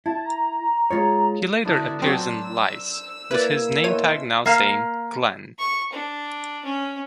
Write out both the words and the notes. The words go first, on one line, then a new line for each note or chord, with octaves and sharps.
He later appears in "Lice" with his nametag now saying Glenn.
E4 A5
A#5
G#3 F4 C#5
D3 B3 D4 E4 F#4 A#4
F#3 C4 F#4 C5 A5 A#5 E6
E6
A#3 E4 B4 D5
B2 E3 C5 C#5 D#7
A#3 F5
C#6
D4
C#4